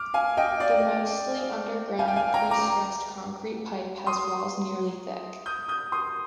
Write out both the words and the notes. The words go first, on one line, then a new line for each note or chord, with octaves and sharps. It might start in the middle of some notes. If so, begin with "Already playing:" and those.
The mostly underground, pre-stressed concrete pipe has walls nearly thick.
Already playing: D6 F6
F5 G#5
D#5 G5
D5 F5
F5 G#5
G5
F5 G#5
G5 A#5
A#5 D6
C6 D#6
D#6 G6
D#6 G6
C6 D#6